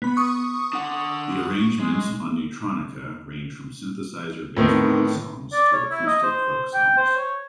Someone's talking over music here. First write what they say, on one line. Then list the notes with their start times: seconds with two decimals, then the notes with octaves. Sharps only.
The arrangements on "Neutronica" range from synthesizer-based rock songs to acoustic folk songs.
0.02 B3 B5
0.17 C#6 D#6
0.73 D4 F#5
1.80 G#3
4.57 A2 D#3 B3 C4 D#4 A#4
5.52 D5
5.73 C#5
5.91 E4
6.07 D#5
6.23 C5
6.74 G5
6.97 C5
7.16 C#5